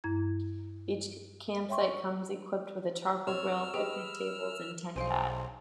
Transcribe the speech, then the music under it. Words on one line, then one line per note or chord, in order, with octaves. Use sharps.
Each campsite comes equipped with a charcoal grill, picnic table and tent pad.
G2 E4 A#5 G#6
C#5 E5 G5 C6 C#6
F2 C#5 E6 F6
G4 G#4 B4 D#5 G5
B1 G#4 C5 F5 D7 D#7